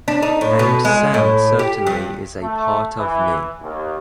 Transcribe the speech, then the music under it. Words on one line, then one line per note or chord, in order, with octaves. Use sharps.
And Sam certainly is a part of me.
D4
D#4
A2
B2
G#3
A2
G4
G2
A3
E3
D#2